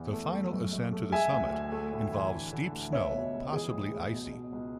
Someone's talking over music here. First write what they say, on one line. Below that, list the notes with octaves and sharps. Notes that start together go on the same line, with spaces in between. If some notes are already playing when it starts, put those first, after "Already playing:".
The final ascent to the summit involves steep snow, possibly icy.
Already playing: E2 E3
A3
A3
F#2
F#2
A3
G#3 E5 G#5
D2
D2
A3
A2
E3
D3
D3
D2
C#2 C#5 E5
B2
C#2
E3 G#4
A2
G#3
B2
B2
C#2